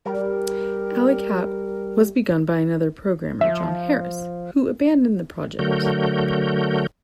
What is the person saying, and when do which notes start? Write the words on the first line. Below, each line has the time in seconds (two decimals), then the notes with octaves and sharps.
"Alley Cat" was begun by another programmer, John Harris, who abandoned the project.
0.06 G3 A#4
3.41 F3 E5
5.59 D3 F#3 A3 F#4 A#4 G6